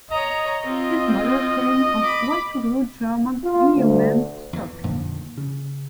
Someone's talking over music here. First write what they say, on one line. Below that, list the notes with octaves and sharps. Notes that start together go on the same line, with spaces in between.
His mother came of well-to-do German yeoman stock.
C#5 D#5 A#5
C4 F4
B5 D6
F4
D2
E2 E3
F2 A#2 D3 D#3
C#3